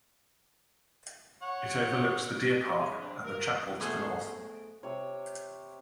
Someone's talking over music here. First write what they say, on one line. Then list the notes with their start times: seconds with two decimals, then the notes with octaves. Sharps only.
It overlooks the Deer Park and the Chapel to the North.
1.42 C#5 F#5
2.78 G3 D4 E4 G4 G#4 C#5
3.00 C4 D4
3.24 A#4
3.80 A3 B3 G#4 A4 C5
4.83 C3 C#5